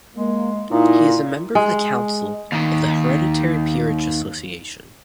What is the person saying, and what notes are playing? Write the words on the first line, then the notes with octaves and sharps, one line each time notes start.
He is a member of the Council of the Hereditary Peerage Association.
G#3 A#3
A#2 D#4 E4
G#3
D#2 D#3